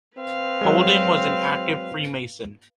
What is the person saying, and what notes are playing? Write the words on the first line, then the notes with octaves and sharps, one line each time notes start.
Colden was an active Freemason.
C4 B4 F5
F#3 G#3